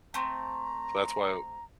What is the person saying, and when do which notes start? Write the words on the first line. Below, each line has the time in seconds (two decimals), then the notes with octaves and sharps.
so that's why
0.14 A3 C4 A#5